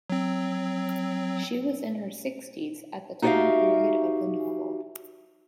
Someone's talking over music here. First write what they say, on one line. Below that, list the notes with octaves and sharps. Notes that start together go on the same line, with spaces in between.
She was in her sixties at the time period of the novel.
F#3 C4
D#4 F#4 G4 D5 E5 F5